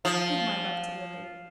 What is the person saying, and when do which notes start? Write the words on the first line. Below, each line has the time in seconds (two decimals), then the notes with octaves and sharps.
Give my love to Lily.
0.05 F3